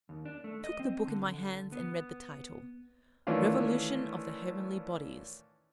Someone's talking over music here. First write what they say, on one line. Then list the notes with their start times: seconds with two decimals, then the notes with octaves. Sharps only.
I took the book in my hands and read the title, 'Revolution of the Heavenly Bodies.'
0.09 D#2
0.25 D4
0.44 A3
0.64 D#5
0.80 C4
1.07 D3
1.72 B3
3.27 D#3 E3 A3 C#4 D4 F4